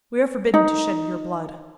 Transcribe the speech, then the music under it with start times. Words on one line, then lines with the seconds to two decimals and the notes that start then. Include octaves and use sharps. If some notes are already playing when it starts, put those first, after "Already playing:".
"We are forbidden to shed your blood."
0.54 D#4